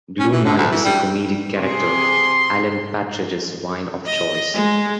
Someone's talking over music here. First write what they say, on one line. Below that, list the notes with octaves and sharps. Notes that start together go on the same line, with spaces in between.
Blue Nun is comedy character Alan Partridge's wine of choice.
C#4
E3
D3
D2
E3
G3
C3 G#4 C6
D#5
G#3